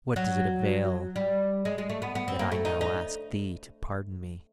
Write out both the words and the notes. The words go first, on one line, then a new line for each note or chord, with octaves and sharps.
What does it avail that I now ask thee to pardon me?
F#3
G3
G#3
G#3
A3
B3
B3
C4
A#3
A3
D#4
D#4